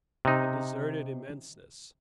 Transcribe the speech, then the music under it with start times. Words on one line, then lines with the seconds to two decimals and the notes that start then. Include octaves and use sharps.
A deserted immenseness.
0.25 C3 D#4